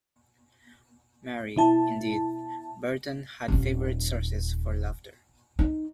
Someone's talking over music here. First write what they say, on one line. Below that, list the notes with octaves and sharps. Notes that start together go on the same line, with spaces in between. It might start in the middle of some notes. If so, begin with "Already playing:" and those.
Merry, indeed, Burton had favourite sources for laughter.
B2 E4 A5
D#1 F4
D#4